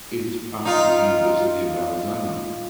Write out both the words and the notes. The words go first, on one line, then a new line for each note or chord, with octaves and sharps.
It is part of the University of Arizona.
D#4 F4